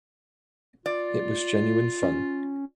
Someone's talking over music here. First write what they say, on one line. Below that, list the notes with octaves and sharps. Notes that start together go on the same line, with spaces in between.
It was genuine fun.
F4 D5
C#4